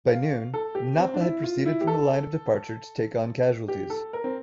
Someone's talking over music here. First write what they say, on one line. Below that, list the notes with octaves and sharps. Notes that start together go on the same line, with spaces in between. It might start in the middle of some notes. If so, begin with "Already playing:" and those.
By noon, "Napa" had proceeded from the line of departure to take on casualties.
F5
A4
G4
C4
D4
E4
F4
E4
G4
A4
G4
A4
A#4
C4